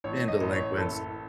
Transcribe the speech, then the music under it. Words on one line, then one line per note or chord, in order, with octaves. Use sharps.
being delinquents.
A1 C#5
D#5
A1
C#5
F#1 A4